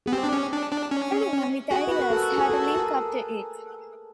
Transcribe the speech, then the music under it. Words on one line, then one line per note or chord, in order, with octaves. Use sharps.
Everyone with ideas had to link up to it.
B3 G#4
C4 G4
D4
C#4
D4
D4
C#4
F#4 G#4
B4
A#4
A4
G#4
A4
A#4